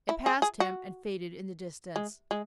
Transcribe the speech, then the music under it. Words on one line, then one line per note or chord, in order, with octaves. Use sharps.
It passed him and faded in the distance.
E4
G#4
G#4
F#4
G#3
G#3